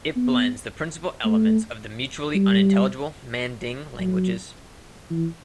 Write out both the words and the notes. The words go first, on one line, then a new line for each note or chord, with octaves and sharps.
It blends the principal elements of the mutually unintelligible Manding languages.
B3
A3
G3
F#3
E3